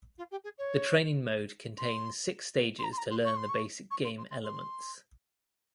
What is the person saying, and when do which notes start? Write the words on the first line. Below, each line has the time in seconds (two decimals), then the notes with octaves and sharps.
The training mode contains six stages to learn the basic game elements.
0.18 F4
0.31 G4
0.44 G#4
0.58 C#5
1.78 C6
2.79 C6
2.84 A#5
2.93 C6
2.98 A#5
3.11 C6
3.25 C#6
3.37 C6
3.49 C#6
3.91 C#6
4.05 C6
4.18 C6
4.31 C6
4.45 C6